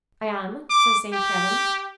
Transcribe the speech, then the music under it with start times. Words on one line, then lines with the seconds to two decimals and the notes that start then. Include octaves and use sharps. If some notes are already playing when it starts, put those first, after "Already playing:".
"I am," says Saint Kavin.
0.70 D6
1.13 G4